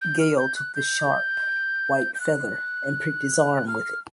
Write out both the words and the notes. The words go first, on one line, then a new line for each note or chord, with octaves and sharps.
Gale took the sharp white feather and pricked his arm with it.
G6
F6
G6
F#6
G6
G6
F#6
F6